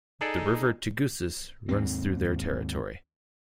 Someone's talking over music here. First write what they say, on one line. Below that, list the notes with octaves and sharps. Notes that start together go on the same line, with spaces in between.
The river Tiguisas runs through their territory.
D#4 G#4 A4 D5
D#2 G#2 C4